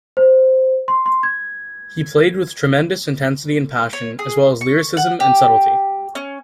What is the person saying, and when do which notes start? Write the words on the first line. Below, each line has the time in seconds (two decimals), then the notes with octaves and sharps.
He played with tremendous intensity and passion, as well as lyricism and subtlety.
0.17 C5
0.88 C6
1.06 C6
1.23 G#6
3.93 C#5
4.19 G#4
4.61 C#6
4.97 F#5
5.20 G4
6.15 C#4